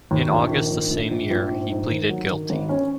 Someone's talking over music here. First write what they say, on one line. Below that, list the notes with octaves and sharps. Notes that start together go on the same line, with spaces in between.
In August the same year he pleaded guilty.
D#2
A#1
D#3
A#1
A#1
A#1
A#1
G#2
G#2
D#3
F#3
D#3
G#1
C#4